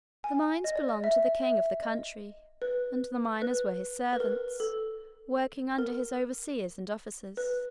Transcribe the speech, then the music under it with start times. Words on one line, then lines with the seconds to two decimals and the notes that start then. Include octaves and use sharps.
The mines belonged to the king of the country, and the miners were his servants, working under his overseers and officers.
0.24 G#5
0.64 D#5
0.76 D5
0.89 D#5
1.04 E5
1.43 E5
1.82 D#5
2.62 B4
3.42 B4
4.13 B4
4.20 A#4
4.60 A4
5.78 A#4
7.37 B4